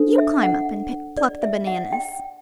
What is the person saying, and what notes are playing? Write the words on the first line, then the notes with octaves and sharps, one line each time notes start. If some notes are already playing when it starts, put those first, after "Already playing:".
You climb up and pluck the bananas.
Already playing: D4 A4 C5
E5
F#5
D5
E5
F#5
G5